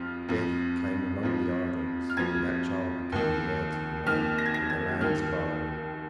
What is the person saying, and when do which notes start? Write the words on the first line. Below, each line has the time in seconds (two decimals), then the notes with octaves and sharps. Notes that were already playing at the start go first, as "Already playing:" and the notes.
Death came among the Ardens and that child became the heir to the name and the lands of Arden.
Already playing: F2 F3 F6
0.28 F2 F3
1.23 F2 F3
2.10 F6
2.17 F2 F3 G#6
3.12 D#2 D#3
4.06 D#2 D#3 F6
4.38 A#6
4.46 G#6
4.54 A#6
4.70 G#6
5.01 D#2 D#3 F6